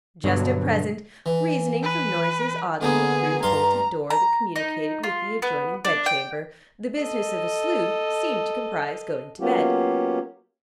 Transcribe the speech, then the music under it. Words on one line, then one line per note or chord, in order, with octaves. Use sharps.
Just at present, reasoning from noises audible through the bolted door that communicated with the adjoining bed-chamber, the business of a sleuth seemed to comprise going to bed.
G2 B2 D3 F#3
E3
B4
D3 A#3 B3 G#4
G2 F5 A#5 C6
A#5
D#4
F4
B3
D4
G5
A4 D#5
F#3 A#3 B3 C#4 F4 G4